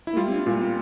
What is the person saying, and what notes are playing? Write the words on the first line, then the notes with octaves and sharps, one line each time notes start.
Mhm, mhm.
E4
G3 F4
A#2 F4